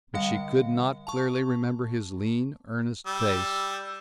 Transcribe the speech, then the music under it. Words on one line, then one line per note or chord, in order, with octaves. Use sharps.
But she could not clearly remember his lean earnest face.
D3 G3 F5
A5 C#6
G3 E6